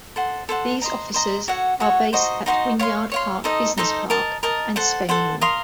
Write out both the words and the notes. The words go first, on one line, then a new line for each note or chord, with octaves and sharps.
These officers are based at Wynyard Park Business Park and Spennymoor.
A4 C5 F#5
A4 C5 F#5
C5 D#5 A#5
C5 D#5 A#5
F#4 A4 C#5 F#5
F#4 A4 C#5 F#5
D#4 F#4 C5 D#5
D#4 F#4 C5 D#5
C#5 F5 C6
C#5 F5 C6
D#4 A4 C5 D#5
D#4 A4 C5 D#5
A#4 D#5 A5
A#4 D#5 A5
A4 C5 F#5
A4 C5 F#5
A#4 F5 C6 D#6